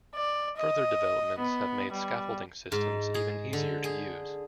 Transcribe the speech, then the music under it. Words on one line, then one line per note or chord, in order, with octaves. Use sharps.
Further developments have made scaffolding systems even easier to use.
D5
D#5
B3
G3
G#2
G#4
D3
G#4